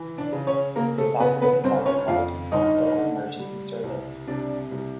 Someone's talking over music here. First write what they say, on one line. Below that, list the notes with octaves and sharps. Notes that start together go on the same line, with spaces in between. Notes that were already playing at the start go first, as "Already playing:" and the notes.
It is operated by the Pelican Hospital's Emergency Service.
Already playing: E3
D4 D5
C#3
C#4 C#5
C#3 A#3 A#4
A3 A4
C#3 B3 B4
B3 B4
G1 C4 C5
C#4 C#5
F2 F4 F5
G1 D#4 D#5
D3
G3
C2
C3 D4 D5
C2